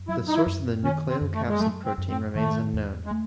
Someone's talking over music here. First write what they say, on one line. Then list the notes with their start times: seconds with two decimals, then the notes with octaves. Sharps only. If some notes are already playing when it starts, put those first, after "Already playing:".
The source of the nucleocapsid protein remains unknown.
Already playing: F#2
0.08 F#3 E4
0.28 D#4
0.34 E4
0.46 F#2
0.83 D#3 C#4
1.09 C4
1.21 F#2
1.34 A3
1.48 G#3
1.59 F#3 A3
1.85 C4
1.98 F#2
2.09 C4
2.35 D#3 A3
2.74 E2
3.06 G#3
3.11 A3